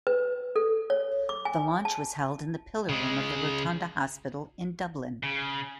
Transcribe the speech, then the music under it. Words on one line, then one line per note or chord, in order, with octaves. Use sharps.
The launch was held in the Pillar Room of the Rotunda Hospital in Dublin.
B4
A4
C#5
D6
G#5
A5
C#3 G#3
C#3